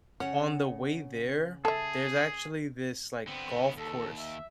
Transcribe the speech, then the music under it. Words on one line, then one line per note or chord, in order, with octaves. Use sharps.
on the way there, there's actually this, like, golf course,
C#3 C#4 C#5 F#5
G#4 A4 E5 A5
D3 B3 C4
D#2 A4
E5